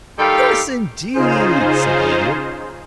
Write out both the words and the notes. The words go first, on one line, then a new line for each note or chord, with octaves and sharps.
"Yes, indeed," said the Idiot.
D#3 G3 G4 A4 F5 G5
C#3 D#4 F4 G#4 C5